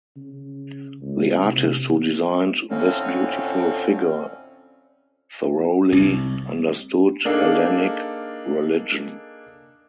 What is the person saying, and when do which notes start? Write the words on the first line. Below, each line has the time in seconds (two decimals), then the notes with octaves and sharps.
The artist who designed this beautiful figure thoroughly understood Hellenic religion.
0.17 C#3
1.02 C#2
1.45 C3
2.70 F2 A2 D3 F3 C4 C#4
5.92 C2
7.25 A#3 D4 D#4 G#4 A4 F5